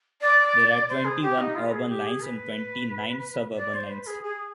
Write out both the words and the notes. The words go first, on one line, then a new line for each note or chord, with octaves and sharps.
There are twenty-one urban lines and twenty-nine suburban lines.
D5
C5
G#4
G4
D#4
F4
B4
G#4
G4
G#4
B4
D5
C5
B4
G#4
G#4